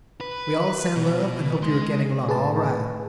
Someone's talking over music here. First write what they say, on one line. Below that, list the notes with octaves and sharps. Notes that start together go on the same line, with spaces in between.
We all send love, and hope you are getting along all right.
B4
B2
G#3 C6
A2 G#4 B4 A5